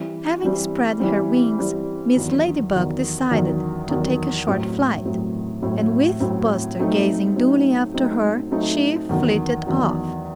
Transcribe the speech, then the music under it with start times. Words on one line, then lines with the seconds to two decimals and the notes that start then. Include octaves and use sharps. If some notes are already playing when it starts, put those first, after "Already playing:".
Having spread her wings, Mrs. Ladybug decided to take a short flight. And with Buster gazing dully after her she flitted off.
Already playing: E3 G3 C4
0.43 E3 G3 C4
1.00 E3 G3 C4
1.58 E3 G3 C4
2.15 E2 D#3 F#3
2.73 E2 D#3 F#3
3.31 E2 D#3 F#3
3.89 E2 D#3 F#3
4.47 A2 F#3 C4
5.05 A2 F#3 C4
5.62 A2 F#3 C4
6.20 A2 F#3 C4
6.78 F#3 A3 C4 D#4
7.36 F#3 A3 C4 D#4
7.94 F#3 A3 C4 D#4
8.51 F#3 A3 C4 D#4
9.09 E2 D#3 F#3
9.67 E2 D#3 F#3